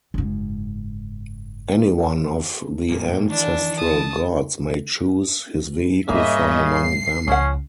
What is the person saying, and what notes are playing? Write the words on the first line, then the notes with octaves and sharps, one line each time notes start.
Any one of the ancestral gods may choose his vehicle from among them.
F#1 G#2
F#2 A#2 A#3
D#3 E3 D4
A5 D#6
G#2 C#3 G3 A#3 D#5 E5
C7
C#2 F3 C#4 F#5